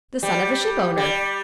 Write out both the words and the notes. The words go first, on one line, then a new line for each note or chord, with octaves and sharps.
"The son of a shipowner."
G3
G3